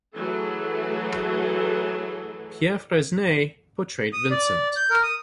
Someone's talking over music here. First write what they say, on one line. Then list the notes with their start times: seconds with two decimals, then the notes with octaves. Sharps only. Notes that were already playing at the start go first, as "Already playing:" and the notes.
Pierre Fresnay portrayed Vincent.
0.16 E3 F#3 A3 G#4 A4
4.13 D#6
4.31 D5
4.76 G6
4.91 A#4
5.03 D#6